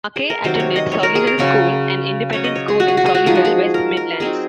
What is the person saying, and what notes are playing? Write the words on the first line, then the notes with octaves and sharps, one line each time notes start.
MacKay attended Solihull School, an independent school in Solihull, West Midlands.
G#4
A#4
C3 D#3 F#3 C5
C#5
D#5
C#5
A#4
G#4
A#4
C#3 F#3 C#4 C#5
C#3 F#3 C#4 C#5
D#5
C#5
G#4
F#4
G#4
F#4
G#4
F#4
F3 G#3 D#4 G#4
F#4
G#4
A#4
A#4
F#3 C4 D#4 G#4